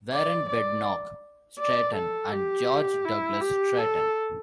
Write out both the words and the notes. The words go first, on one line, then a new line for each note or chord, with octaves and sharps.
Warren Badenock Straton, and George Douglas Straton.
D5
D5
D5
A4
G4
E4
G4
A4